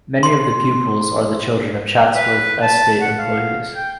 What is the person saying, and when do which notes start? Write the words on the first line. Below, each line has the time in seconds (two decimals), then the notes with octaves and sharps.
Many of the pupils are the children of Chatsworth estate employees.
0.23 C6
2.15 B4
2.61 A5
3.01 F#5
3.18 F5
3.76 G5